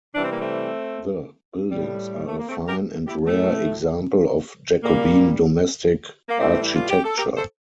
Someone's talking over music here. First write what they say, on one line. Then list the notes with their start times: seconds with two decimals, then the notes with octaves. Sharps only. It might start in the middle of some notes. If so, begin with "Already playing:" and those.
The buildings are a fine and rare example of Jacobean domestic architecture.
0.15 C3 E3 G3 D4
0.23 C4
0.32 A#3
0.41 A3 C4
1.71 A2 G3
2.27 A3
2.38 A#3
2.49 A3 C4
2.68 G4 A#4
3.07 E4 G4
3.27 A2 F3 A3
4.83 A#2 G3 A#3
6.29 A#3
6.39 A2 E3 G3 A3 C4
6.62 E4
6.76 F4
6.89 G4
7.04 A4
7.18 G4 A#4
7.37 A4 C5